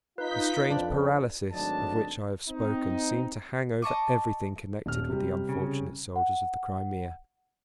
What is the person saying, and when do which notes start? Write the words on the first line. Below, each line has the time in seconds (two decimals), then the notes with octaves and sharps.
The strange paralysis of which I have spoken seemed to hang over everything connected with the unfortunate soldiers of the Crimea.
0.18 D#4 F4 B4 G6 B6
0.70 F2 D4
1.53 G#1 D2 F#3 D4 D#5 A5
2.49 C4 D#4
3.82 D#5 A5 C#6 D6
4.86 D#1 F6
5.09 C3 G3
5.49 C#3
6.16 F#5